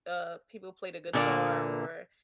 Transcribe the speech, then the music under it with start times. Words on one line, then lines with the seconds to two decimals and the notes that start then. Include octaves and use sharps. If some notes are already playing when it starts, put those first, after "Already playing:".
uh, people play the guitar or
1.13 A#2 D3 A#3 D5